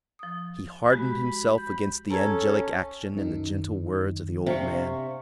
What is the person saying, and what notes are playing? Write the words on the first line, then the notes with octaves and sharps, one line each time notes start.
He hardened himself against the angelic action and the gentle words of the old man.
F3 D#6
G#3 F#4 G4 B5
G6
C#4 A4 A#5 G#6
F#2 D#3 D#4
C3 D4 F5 C#6